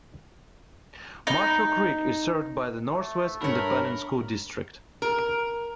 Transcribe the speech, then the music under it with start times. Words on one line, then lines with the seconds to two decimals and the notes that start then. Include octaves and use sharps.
Marshall Creek is served by the Northwest Independent School District.
1.27 D#4
2.92 A3
3.42 G2 A#4 C#5 B5
5.02 A#4